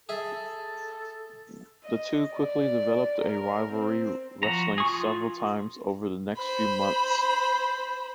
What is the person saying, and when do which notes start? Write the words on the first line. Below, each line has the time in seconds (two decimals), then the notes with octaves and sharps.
The two quickly developed a rivalry, wrestling several times over the next few months.
0.09 G#4 A4 E5
1.84 D#5
2.33 D5
3.21 A#4
3.72 C4
4.43 F3 F#4 A#5
4.78 G#4 C#6
4.89 F4
6.37 C5 B5